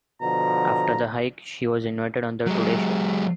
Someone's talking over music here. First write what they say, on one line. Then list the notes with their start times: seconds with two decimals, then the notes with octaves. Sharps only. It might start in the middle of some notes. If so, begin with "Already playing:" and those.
After the hike she was invited on the "Today Show".
0.21 B2 D3 F3 A#5
2.47 F#3 G#3